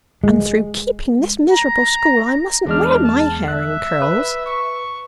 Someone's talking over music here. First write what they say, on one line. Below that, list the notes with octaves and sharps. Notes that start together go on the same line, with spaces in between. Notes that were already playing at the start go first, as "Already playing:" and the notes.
And through keeping this miserable school I mustn't wear my hair in curls!
G#3
A#5
E2 G#3 D4 F6
A5
E5 F#6
B4
C#6